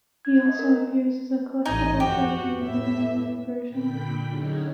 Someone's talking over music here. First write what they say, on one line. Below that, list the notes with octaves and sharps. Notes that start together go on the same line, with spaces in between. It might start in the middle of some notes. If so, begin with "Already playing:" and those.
He also appears as a collectable trophy in the Wii U version.
G#6
C4 D#5
A#4
A1 D#4 D#5 G#5
F2 F#4 G4
A2 E5
A#2 D3 G5 B5 B6
D3 F#3 C#4 D#4 G#4